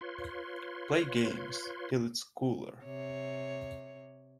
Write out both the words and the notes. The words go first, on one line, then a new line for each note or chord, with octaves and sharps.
Play games, till it's cooler.
F4 B4 C#5 C6
C3 C#5